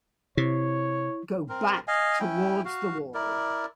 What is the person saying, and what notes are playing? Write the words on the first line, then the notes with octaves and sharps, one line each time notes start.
Going back towards the wall!
C3 E4 C#5
C4 A#4
D#5 F5 G#5
C#4 E4 G5
F#4 F5
E4 A#4 D5